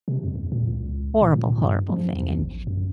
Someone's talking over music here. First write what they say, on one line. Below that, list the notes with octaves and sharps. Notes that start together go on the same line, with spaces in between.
horrible, horrible thing, and,
C3
F2
E2
A#2
C#2
A#2
A#2
G2
F3
E2
A1
F#2